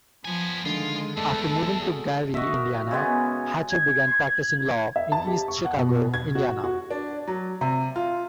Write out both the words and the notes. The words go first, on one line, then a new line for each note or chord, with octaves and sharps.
After moving to Gary, Indiana, Hatcher began practicing law in East Chicago, Indiana.
F3 B3 G#5
D3 D#3 G#3 D4 F4
E2 G2 G#3 A3 A4 D5
F#4 G#4 A4
F#4 D#5 E5
A#4
C#3 G#3 B3
G#6
E5
A5
G4
C#6
F#5
B2
G#6
F#4
F#4
D4
F#3
C3
F4